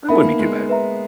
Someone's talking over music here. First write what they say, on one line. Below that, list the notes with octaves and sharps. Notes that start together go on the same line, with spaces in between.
That wouldn't be too bad.
B3 D#4 A#4 E5 B5
A#3
G#3
B4 E5 A#5